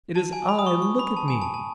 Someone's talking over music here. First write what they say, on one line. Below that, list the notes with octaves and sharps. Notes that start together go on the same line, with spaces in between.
It is I! Look at me!
A5
G#5
B5
D#6
C#6
C#6
B5
A5
G#5
A5
A5